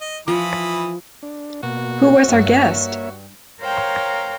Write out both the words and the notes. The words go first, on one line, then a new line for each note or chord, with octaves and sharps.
Who was our guest?
D#5
E3 F3 B5 D#6
D4
B2 A#3 F#4
E2 G2 A#3 C#5 E5
A#4 C5 C#5 F5 G5 A#5